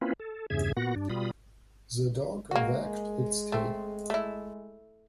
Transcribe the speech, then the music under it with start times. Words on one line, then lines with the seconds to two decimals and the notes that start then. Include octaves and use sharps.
The dog wagged its tail.
0.01 A#3 C4 C#4 E4 F4 B4
0.20 A4
0.50 E2 G2 C#3 G#4 E5 G#6
0.77 A#2 B3 F#4 F#5 A#6
0.96 G2 D4
1.10 B2 G3 F4 B5 D#6
2.51 G#3 A#3 F#4
3.52 A3 C4
4.10 A3 E4